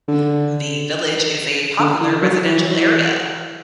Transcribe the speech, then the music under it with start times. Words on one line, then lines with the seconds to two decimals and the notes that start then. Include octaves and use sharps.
The village is a popular residential area.
0.08 D3
1.79 D3
2.01 E3
2.22 F#3
2.43 E3
2.58 F#3
2.70 E3